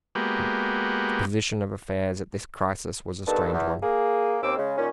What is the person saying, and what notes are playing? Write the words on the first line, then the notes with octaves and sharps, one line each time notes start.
The position of affairs at this crisis was a strange one.
G#3 A#3 B3 F#4 G4
G2 D#3 B3 A4 A5
E2
A#3 G#4
D#2 C4 C#4 D6 E6
C#3 G#3
A#2 D#3 C#4